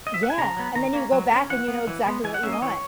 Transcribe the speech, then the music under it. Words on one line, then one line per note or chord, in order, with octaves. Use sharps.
Yeah, and then you go back and you know exactly what you want.
D#5
E5
F#5
G#5
C#3 A#5
F#3 B3
D#3 A#5
A#3 C#4
F#3
A#3
C#4
E3 F#5
B3
E3
G#3 B3
E3 G#5
F#5
A#3 C#4 E5
D#5
E3 C#5